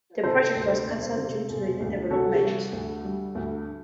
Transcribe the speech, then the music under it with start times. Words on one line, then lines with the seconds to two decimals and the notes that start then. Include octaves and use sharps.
That project was cancelled due to the new developments.
0.24 C3 A4 C5
0.55 D2
0.85 E1
1.17 C3
1.49 E1
1.80 D2
2.11 C3 F#4 A4
2.42 G3
2.73 D2
3.04 G3
3.35 D2